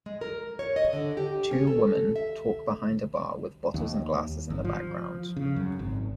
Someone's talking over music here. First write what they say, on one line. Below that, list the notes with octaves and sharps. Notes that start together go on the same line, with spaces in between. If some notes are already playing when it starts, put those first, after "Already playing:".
Two woman talk behind a bar with bottles and glasses in the background.
G#3
A#4
C#5
D#5
D3
G4
C#4
A4
E5
D#2
G#1
F3
C#3
F#2
G#1